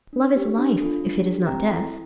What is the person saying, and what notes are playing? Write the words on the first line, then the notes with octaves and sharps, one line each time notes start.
Love is life, if it is not death.
D4
G4
D4
F4 A4
D4
G4
C4 G5 A#5
E4 A4